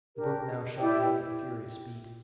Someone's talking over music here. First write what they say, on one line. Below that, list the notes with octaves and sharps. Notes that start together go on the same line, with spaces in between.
The boat now shot ahead with furious speed.
D4 G4 A#4
E4 G4 D5 G5